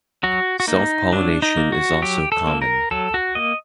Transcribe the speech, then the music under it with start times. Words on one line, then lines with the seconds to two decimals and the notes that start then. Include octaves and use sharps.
Self-pollination is also common.
0.23 F#3 F#4
0.60 F#4
0.68 A#3 D#4
1.12 F#3 D4
1.42 D#4
1.57 A#3
1.72 F#4
2.02 F#3 G4
2.32 A4
2.47 A#3
2.62 A#4
2.91 F#3 A4
3.14 F#4
3.35 A#3 D#5